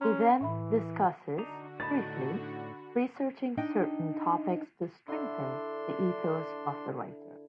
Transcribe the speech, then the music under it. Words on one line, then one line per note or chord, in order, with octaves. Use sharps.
He then discusses, briefly, researching certain topics to strengthen the ethos of the writer.
C#4 A#5 C6
A2 E3 E5 B5
D3 D4 D#4 F#4 A#5
A2 D#4 A5 B5 A6
D4 D#4 D#5 G5
D3 D4 E4 C6